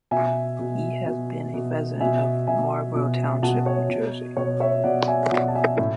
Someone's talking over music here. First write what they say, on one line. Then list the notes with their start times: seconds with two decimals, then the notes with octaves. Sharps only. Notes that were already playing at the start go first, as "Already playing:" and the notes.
He has been a resident of Marlboro Township, New Jersey.
0.11 B2 E5 G#5
0.59 B2
1.07 B2
1.54 B2
2.00 B2 E5 G#5
2.47 B2 E5 G#5
2.95 B2
3.43 B2 F#5 A5
3.66 C#5
3.89 B2
4.37 B2 C#5
4.60 C#5 E5
4.84 B2 D5 F#5
5.08 E5 G#5
5.31 B2 D5 F#5
5.48 A5
5.55 E5 G#5
5.79 A2